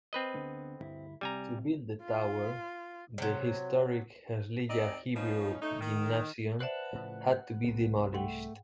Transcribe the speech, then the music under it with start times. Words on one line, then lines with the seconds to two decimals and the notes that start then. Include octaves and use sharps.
To build the tower, the historic Herzliya Hebrew Gymnasium had to be demolished.
0.13 C4 B4 D#5
0.34 D2 D3 B3
0.80 D2 G2 E4
1.21 C2 C3 G3 G#5 A#5
2.02 F4
3.18 C3 F#3
4.70 C4 D#4 D5 D#5
5.16 F3 B3 C#4 D#4
5.62 A3 C#4 D#4
5.81 D#3
6.60 B4 C5 D5 E5 F#5 A5
6.93 A2 C#3 F3
7.64 C2 C3
8.14 G#2 A3 F#5 G5